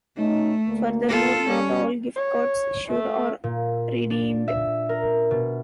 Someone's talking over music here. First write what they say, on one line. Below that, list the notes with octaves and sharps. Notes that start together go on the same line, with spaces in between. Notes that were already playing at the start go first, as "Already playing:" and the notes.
Furthermore, not all gift cards issued are redeemed.
B2 A3 C#4 D#4
D2 A#3
F4 A4
G3 C#4
C#5
A3
A#2
D4
E5
A#4
B2